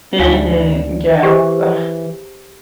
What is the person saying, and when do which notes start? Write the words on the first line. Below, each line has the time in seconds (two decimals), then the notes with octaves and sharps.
Mhm, yes, ugh,
0.19 D2 D#4 F5 G#5
1.23 E3 G4 G#4 C5